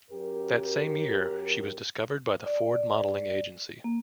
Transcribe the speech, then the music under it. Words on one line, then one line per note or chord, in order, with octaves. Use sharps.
That same year, she was discovered by the Ford modeling agency.
F#2 G4 A#4
D5
A#3